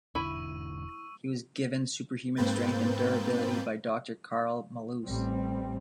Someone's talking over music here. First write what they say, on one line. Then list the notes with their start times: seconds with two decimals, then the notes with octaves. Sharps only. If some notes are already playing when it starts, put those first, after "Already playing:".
He was given superhuman strength and durability by Doctor Karl Malus.
0.15 E1 D3 E4 B5 C#6 E6 D#7
2.37 G#2 A#3 C4 B4 G6 A6
5.05 A1 G3 C4